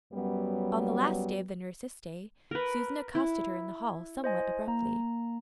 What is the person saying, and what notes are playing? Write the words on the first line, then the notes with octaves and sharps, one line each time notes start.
On the last day of the nurse's stay, Susan accosted her in the hall somewhat abruptly.
F#2 F#3 G3 B3
A#4 B4
E4
C5 D#5 G#5
A#3 A#5